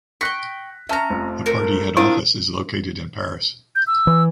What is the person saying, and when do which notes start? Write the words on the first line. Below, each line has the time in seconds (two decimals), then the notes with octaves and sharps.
The party head office is located in Paris.
0.21 G5 C#6 F#6 A#6 B6
0.89 C#4 E5 A5 A#5 F6
1.10 F1 F3
1.46 A3 A#4
1.97 C4 D4 E4 F4 A#4 E5 D#6
3.75 G6
3.87 E6
4.07 E3